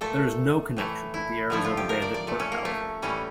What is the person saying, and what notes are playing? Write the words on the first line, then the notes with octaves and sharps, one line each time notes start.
There is no connection with the Arizona bandit Burt Alvord.
A#2 A3 A4
A2 E3 A3
E4
D3 F3 A3 E4
F4
G4
A#4
D5
D5
A#2 A3
C#4
A#3
A3
A2 E3 G3 C#4